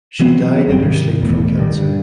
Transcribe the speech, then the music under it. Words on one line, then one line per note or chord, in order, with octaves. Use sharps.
She died in her sleep from cancer.
E3 F#3 B3 C4
G1 F#3 G3 C4
G#2 C3 D#3
E1 A1 E2 A2
A#2 D3 D#3 G3
G2